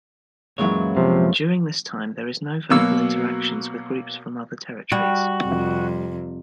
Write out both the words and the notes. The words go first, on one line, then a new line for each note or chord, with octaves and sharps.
During this time, there is no vocal interactions with groups from other territories.
F#2 A#2 E3 F#3 G#3 C#5
C3 F3
B2 F#3 A#3 E6
G3 F#4
F2 C3